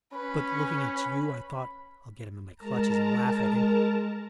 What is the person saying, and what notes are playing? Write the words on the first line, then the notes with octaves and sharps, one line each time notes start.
But looking at you, I thought, I'll get him in my clutches and laugh at him.
C#4 B4 B5
G#3 A#4 A5 A#5